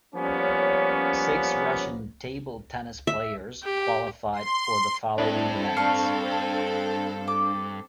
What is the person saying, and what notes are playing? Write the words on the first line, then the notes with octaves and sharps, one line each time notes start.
Six Russian table tennis players qualified for the following events.
F3 G3 A#3 B3 C#4
E5
G4
C6
G2 C4 D4 E4 A4
D4 F5 A5 C#6
D6